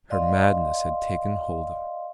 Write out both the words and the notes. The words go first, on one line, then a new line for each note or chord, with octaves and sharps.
Her madness had taken hold of her.
D5 D#5 F5 C6